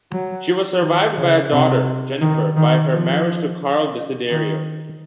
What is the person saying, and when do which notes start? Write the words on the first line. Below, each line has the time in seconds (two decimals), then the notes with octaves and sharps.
She was survived by a daughter, Jennifer, by her marriage to Carl Desiderio.
0.12 F#3
0.81 D#3
1.17 C#3
1.51 C3
2.21 D#3
2.56 D#3
2.91 F3
4.30 D#3